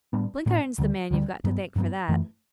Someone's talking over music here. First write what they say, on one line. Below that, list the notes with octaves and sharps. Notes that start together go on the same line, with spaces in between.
Blenkiron's the man you've got to thank for that.
A2 G3 B3 D4
A2 G3 B3 D4
D2 D3 G3
D2 D3 G3
G2 F#3 B3
G2 F#3 B3
F#2 E3 A3